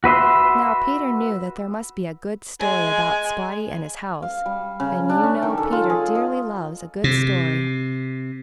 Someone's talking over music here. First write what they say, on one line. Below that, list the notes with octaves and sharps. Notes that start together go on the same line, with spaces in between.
Now Peter knew that there must be a good story about Spotty and his house, and you know Peter dearly loves a good story.
F#4 B4 E5 C6
G#3 G#5
F5
G3
C#3
D4
C#4
D#3
A4
F4
G#4
D#5
C3